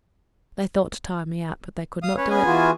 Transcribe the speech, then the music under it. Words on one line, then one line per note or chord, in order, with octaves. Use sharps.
They thought to tire me out, but they could not do it.
F5 D#6
C#4 B4 C#5
B3 G#4 G#5
E3 F4 F#4